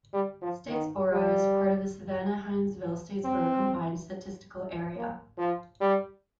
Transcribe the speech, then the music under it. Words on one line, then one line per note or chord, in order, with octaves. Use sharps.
Statesboro is part of the Savannah-Hinesville-Statesboro Combined Statistical Area.
G3
F3
D#3
G3
C4
A#3
F3
G3